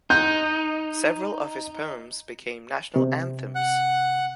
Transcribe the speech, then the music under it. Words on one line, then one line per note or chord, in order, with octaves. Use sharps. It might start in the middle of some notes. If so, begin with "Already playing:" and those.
Several of his poems became national anthems.
D#4 G6
C3
F#5 F#6